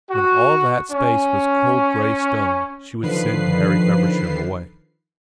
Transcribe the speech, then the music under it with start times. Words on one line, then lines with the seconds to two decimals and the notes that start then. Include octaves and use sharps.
When all that space was cold grey stone, she would send Harry Feversham away.
0.10 F#4
0.92 C#4
3.03 D3 D#3 F3 B4 C7